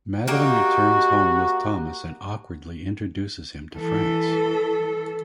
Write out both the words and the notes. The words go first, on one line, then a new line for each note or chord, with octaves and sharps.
Madeleine returns home with Thomas and awkwardly introduces him to Franz.
A#3 D#4 F#4 G4
E3 A4